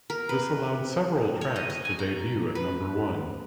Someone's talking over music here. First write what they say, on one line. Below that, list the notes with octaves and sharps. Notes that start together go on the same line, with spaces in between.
This allowed several tracks to debut at number one.
A#4
B4
C#5
D#5
D#5
G#5
A#5
B4